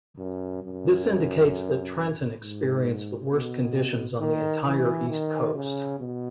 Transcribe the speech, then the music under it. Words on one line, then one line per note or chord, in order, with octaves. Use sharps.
This indicates that Trenton experienced the worst conditions on the entire East Coast.
F#2
F#2
G#2
B2
D#3
E3
D#3
C#3
B2